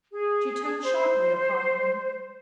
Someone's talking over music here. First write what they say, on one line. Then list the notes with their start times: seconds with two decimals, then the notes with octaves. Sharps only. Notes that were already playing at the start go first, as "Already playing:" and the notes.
She turned sharply upon him.
0.12 G#4
0.82 C5